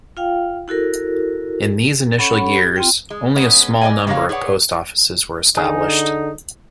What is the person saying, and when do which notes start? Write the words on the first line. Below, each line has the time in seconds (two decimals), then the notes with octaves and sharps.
In these initial years, only a small number of post offices were established.
0.17 F4 F5 G5
0.68 E4 F#4 A4 A#4
2.19 C#4 A4 C#5 F#5 B5
2.58 G4
2.76 C4 F4 G5
3.10 G#3
3.36 G#3 B3 C#4
3.81 D5 D#5 F5 G#5
4.07 C#3 G#3 A#3 C#4 C#5 F5
4.29 G#4 B4 C#5 D5 F#5
5.57 D3 D#4 G#4